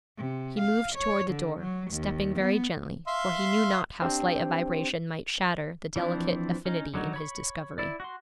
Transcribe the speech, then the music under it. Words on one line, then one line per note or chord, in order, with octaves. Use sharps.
He moved toward the door, stepping very gently, for he knew not how slight a vibration might shatter the delicate affinity in his discovery.
C3
F5
C#5
D3
F#3
D#2
B3
E5 F5 C6
C4 D4 G4 C5
E3 F3 C4 D4 E4
C#4 D#4
D3 F#3 D#4 C#5
C#5 B5 C#6
E4 D5
F#4 C6